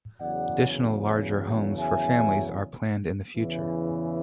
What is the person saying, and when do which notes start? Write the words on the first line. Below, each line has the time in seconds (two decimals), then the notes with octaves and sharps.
Additional larger homes for families are planned in the future.
0.19 E2 C#3 F#3 D5 F#5
1.78 E5 G#5
3.37 E2 C#3 E3